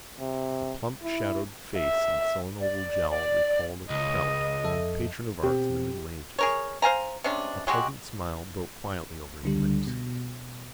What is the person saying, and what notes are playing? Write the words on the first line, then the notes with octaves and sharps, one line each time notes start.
The plump shadowed face and sullen oval jowl recalled a prelate, patron of arts in the middle ages. A pleasant smile broke quietly over his lips.
C3
E4
E5
D5
D5
C#2 D#5
F2 A4 E5
B2 C4 G4
G#4 A#4 C#5
C5 F5 G#5 A#5
C3 G#3 C#4 D4
F#3 G#3 F#4 G4
C#2 D3 G3
B2